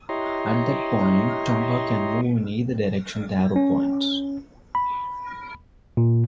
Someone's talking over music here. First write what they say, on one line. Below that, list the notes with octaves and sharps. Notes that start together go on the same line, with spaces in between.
At that point Tomba can move in either direction the arrow points.
E4 G4 C#5 D#5 A#5 C6
C#4
B5
A#2